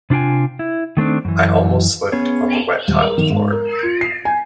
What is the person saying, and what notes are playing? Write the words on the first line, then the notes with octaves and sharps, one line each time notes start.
I almost slipped on the wet tiled floor.
C3 D4 F4 G5 G#5
E4
D#3 A3 C4 D4
F#2 E3
B3 C#4 G#4 C#5
D#1
A#4
D#3
G#2
A#4
F4
C7
G#5